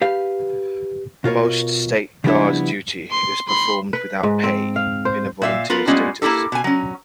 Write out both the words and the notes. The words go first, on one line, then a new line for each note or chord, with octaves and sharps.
Most State Guard duty is performed without pay, in a volunteer status.
G4 B4 F5
B2 F4 A#4 C#5
C#3 F3 G3 B3 D4 E4
C6
B5 C6
B4
G#2
C4
F5
C5
A#2 E5 F5
B3 F4 A#4 B4
G3 G#3 A#3 B3 C#4 F4
A#3 C4 E4 G4 A4
B2 G#5
F#3 C#4